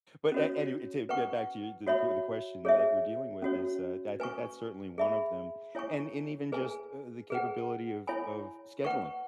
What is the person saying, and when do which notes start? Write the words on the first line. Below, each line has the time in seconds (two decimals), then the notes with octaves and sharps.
But a anyway, to get back to you, to the q the question that we're dealing with is, uh, I think that's certainly one of them, and and even just, uh, the capability of of scheduling,
0.32 C#4 F#4 C#5
1.09 B4 F#5 C#6
1.87 F#4 C#5 E5 B5
2.65 G#4 C#5 E5
3.42 C#4 F#4 C#5
4.20 B4 G#5 C#6
4.98 G#4 E5 B5
5.75 E4 C#5 G#5 C#6
6.52 G#4 B4 G#5
7.30 G#4 B4 F#5
8.07 E4 C#5 G#5 B5
8.85 B4 F#5 C#6